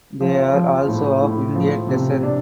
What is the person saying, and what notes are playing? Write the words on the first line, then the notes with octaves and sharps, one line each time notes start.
They are also of Indian descent.
F3
F3
A2
A2
F3
C3
D4